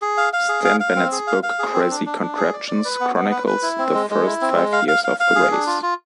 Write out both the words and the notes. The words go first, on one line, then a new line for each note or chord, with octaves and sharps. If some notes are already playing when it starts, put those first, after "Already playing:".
Stan Bennett's book "Crazy Contraptions" chronicles the first five years of the race.
G#4
F5
F5
G#4
F5
F5
C4
G#4
F5
F5
G#4
C4
D4
D4
D4
G#4
D5
D5
B4
B3
B3
B4
B4
E4
C4
G#3
G#3
E4
C4
G#3
F5
F5
F5
F5
G#4
D4
F4
F4